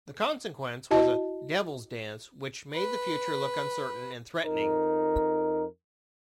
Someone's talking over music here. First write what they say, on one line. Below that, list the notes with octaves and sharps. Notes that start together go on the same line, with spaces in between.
The consequence was a "devil's dance" which made the future look uncertain and threatening.
E4 F#4 D#5 A5
B4
F2 D#4 A#4